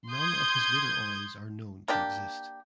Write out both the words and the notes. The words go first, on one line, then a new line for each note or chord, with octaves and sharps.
None of his later oils are known to exist.
C6 D#6 G6 G#6
A#3 D4 G4